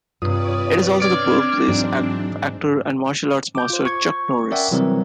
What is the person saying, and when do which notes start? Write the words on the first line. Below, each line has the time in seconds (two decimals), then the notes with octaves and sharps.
It is also the birthplace of actor and martial arts master, Chuck Norris.
0.22 G2 C3 F4 B4 C#5 D5 D#6
1.02 C4 D4 D5 F6 G#6
1.68 G#2 E3 F#3
3.55 D6 G6
3.70 F4 C5
3.85 C#6 G#6
4.51 C#4 A#4 D5 E5 F#5 G5
4.71 C3 E3 F#3 G3 C4 A#4